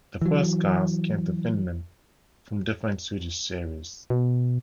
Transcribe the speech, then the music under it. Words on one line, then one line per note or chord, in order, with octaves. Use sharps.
The first cars came to Finland from defunct Swedish series.
E3 F#3
B2